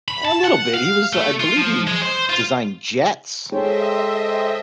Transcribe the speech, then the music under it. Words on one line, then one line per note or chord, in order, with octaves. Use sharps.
A little bit. He was I believe he d designed jets,
B5
A5
F#5
F5
A3
F4
F3
G#3
C5
F4
G#3 A4 C5 C#5 D#5 E5 G5